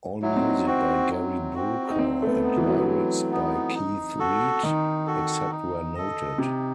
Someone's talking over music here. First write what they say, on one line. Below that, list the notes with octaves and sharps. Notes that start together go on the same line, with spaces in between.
All music by Gary Brooker and lyrics by Keith Reid, except where noted.
F#3 E4
D#4
C4
D#4
C4 F#4
F#3
C4 F#4
D#4
F#3 C4
A3
B3
B3 D#4
E3
F#3
E3
F#3
B3 D#4
D#4
F#4 A4
D#3 D#4
F#4 A4
D#4
A4 D#5
C3 D#4